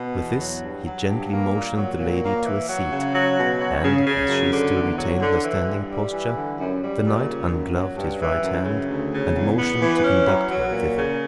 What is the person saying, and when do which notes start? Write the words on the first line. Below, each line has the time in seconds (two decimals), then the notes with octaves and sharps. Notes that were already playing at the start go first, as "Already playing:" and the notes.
With this, he gently motioned the lady to a seat; and, as she still retained her standing posture, the knight ungloved his right hand, and motioned to conduct her thither.
Already playing: B2
0.14 E2
0.38 F#3
0.61 G2
0.84 F#3
1.07 G2
1.30 A#3
1.53 A#2
1.76 F#3
1.99 A#2
2.21 A#3
2.45 E3
2.67 F#3
2.91 C#3
3.14 F#3
3.37 B2
3.59 F#3
3.83 C#3
4.06 C#3
4.28 F#2
4.51 D3
4.75 E2
4.98 F#3
5.20 D3
5.43 E3
5.67 G2
5.90 G3
6.12 E3
6.35 D3
6.58 F#2
6.82 G3
7.04 A#2
7.27 C#3
7.50 F#2
7.73 F#3
7.97 G2
8.20 E3
8.42 F#2
8.64 C#3
8.88 D2
9.11 C#3
9.34 E2
9.57 B3
9.80 E3
10.03 C#4
10.26 F#3
10.49 F#3
10.71 A#2
10.95 C#3